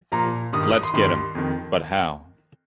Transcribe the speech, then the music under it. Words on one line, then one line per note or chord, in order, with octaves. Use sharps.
Let’s get him? But how?
A#2 F3 A#5
G2 D#3 D#6
D#6
D#6
C6
G2 D#3 C6
F2 D#3